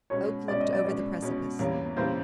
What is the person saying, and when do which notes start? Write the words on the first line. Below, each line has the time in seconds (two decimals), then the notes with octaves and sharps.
Oak looked over the precipice.
0.10 B2 G#3 C#4 C#5
0.48 B2 G#3 C#4 D5
0.60 D#5
0.73 D5
0.85 B2 G#3 C#4 D5
1.22 B2 G#3 C#4
1.59 E2 C#3 E3 G3 A#3 C#5
1.96 C#3 E3 G3 A#3 C5